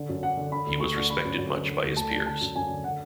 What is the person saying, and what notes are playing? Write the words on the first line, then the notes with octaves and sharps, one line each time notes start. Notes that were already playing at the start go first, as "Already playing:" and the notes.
He was respected much by his peers.
Already playing: D3
F#2
F#2 F#5
D3
D3 B5
D2
D2 C#6
D3
D3 B5
F#2
F#2
D3
D3
D2
D2 A5
D3
D3 A5
F#2
F#2 G#5
D3
D3 F#5